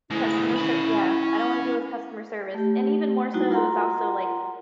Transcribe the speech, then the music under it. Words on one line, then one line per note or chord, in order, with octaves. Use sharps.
customer ser" Yeah, I don't wanna deal with customer service, and even more so it was also, like,
D2 G#3 E4
C#4 B5
A3 G4
G3 A#3 D#4 E4 F#4
F4 A#4 F#5 A#5 C6